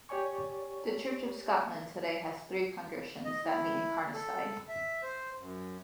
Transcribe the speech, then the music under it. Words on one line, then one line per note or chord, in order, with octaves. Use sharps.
The Church of Scotland today has three congregations that meet in Carnoustie.
G4 C#5 D5 G#5 C#6
D#5
E4
A4
E5
C5
F#2